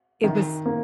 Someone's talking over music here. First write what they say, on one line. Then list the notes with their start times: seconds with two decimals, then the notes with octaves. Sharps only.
it was
0.24 D#3
0.66 A#3